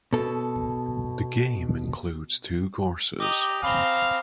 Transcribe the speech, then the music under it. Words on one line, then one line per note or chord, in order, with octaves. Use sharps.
The game includes two courses.
B2 A4
G4 D#5 A#5 D6 D#6
C4 F5 G#5 A#5 B5 G7